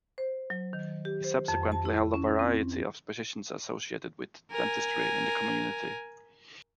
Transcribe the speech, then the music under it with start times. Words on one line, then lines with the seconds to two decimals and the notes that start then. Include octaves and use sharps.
He subsequently held a variety of positions associated with dentistry in the community.
0.18 C5
0.50 F#3
0.73 D#3
1.05 G4
1.24 C5
1.48 F2
1.72 A5
1.85 E4
2.14 C#4
2.39 C4
4.52 A#4 G#5